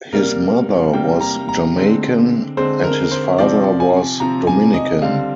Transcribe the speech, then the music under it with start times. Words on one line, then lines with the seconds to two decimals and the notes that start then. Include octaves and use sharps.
His mother was Jamaican and his father was Dominican.
0.13 C3 G3 A#3 A#4
0.93 C3 G3 A#3 G5
1.21 A#5
1.49 A#5
1.76 D3 G#3 C4
2.57 D3 G#3 C4 C5
2.84 A#4
3.12 C5
3.38 C3 F3 C4 D5
3.80 G#5
4.20 C3 F3 C4 A#5
4.47 G#5
4.74 D#5
5.02 D3 G3 C4 F5